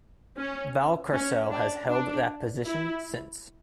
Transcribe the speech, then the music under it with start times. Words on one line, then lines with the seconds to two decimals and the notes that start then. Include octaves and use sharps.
Valcarcel has held that position since.
0.37 C#4
1.13 C#4
1.51 D4
1.90 D4
2.66 E4